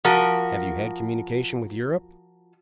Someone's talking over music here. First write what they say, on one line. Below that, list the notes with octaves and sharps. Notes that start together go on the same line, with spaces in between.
Have you had communications with Europe?
F3 F#4 A#4